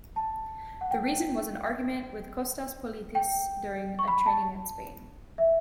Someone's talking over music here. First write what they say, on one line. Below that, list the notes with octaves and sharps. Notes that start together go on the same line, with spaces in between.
The reason was an argument with Kostas Politis, during a training at Spain.
A5
F#5
G5
G5
C#6
B5
A5
E5